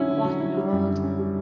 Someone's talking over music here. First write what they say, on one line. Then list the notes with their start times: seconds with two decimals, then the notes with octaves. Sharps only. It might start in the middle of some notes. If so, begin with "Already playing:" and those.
What in the world?
Already playing: D3 F#3 C#4 E4
0.10 D3
0.25 F#3
0.40 E4
0.57 G3
0.72 F#2
0.88 D3
1.04 C#4
1.19 G3